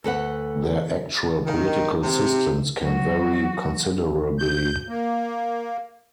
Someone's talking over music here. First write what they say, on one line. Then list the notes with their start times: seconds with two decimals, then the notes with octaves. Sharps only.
Their actual political systems can vary considerably.
0.04 D2 A4 B4 F#5
1.45 D#3
2.03 C3
2.81 F#3 F#4
4.39 G6
4.89 A#3